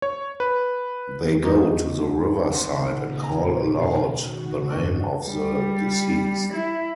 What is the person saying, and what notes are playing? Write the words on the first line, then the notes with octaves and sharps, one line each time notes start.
They go to the riverside and call aloud the name of the deceased.
C#5
B4
E2 D#4 D#5
G#1 C4 F#5 C6
A#2 C#3
D#5 G#5 A#5
B2 D#3 C7
D#3 F#4
G2 C#3 D4 F#4 D#5
G3
E4